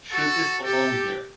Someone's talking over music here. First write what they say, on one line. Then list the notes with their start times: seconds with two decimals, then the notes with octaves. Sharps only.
"Should this belong here?"
0.12 F#4 A4
0.64 G4 A4